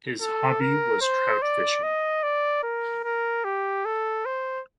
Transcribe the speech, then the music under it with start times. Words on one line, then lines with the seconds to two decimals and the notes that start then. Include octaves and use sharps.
His hobby was trout fishing.
0.21 A4
0.61 A#4
1.01 C5
1.42 D5
1.83 D#5
2.23 D5
2.63 A#4
3.04 A#4
3.45 G4
3.85 A4
4.26 C5